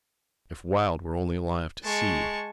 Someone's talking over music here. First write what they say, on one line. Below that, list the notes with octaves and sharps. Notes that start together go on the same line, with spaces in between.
If Wilde were only alive to see you!
G#3 A5 C#6